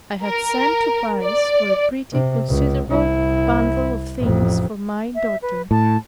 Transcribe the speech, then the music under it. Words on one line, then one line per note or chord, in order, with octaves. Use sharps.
I had sent to Paris for a pretty considerable bundle of things for my daughter.
A#4
D5
C3
C#2
C2 E4
A1 F2
E5
B4
A2 A5